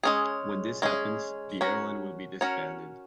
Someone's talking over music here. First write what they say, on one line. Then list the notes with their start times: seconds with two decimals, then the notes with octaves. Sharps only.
When this happens, the airline will be disbanded.
0.03 G#3 C#4 G#4
0.82 G#3 C#4 G#4
1.61 C#4 F#4 A#4 C#5
2.41 C#4 F#4 A#4 C#5